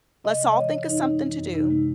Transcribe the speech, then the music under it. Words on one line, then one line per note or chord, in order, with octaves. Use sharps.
let's all think of something to do,
C3 D#5
G#3
D#5
E3 C#5
C3
F#2 D#4
G#3
E3
F#2
C3 D#4
G#3